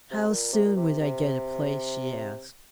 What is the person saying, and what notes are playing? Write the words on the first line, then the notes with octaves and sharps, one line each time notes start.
"How soon would I get a place?" she asked.
C3
A#2
C3
A#2
C3
C3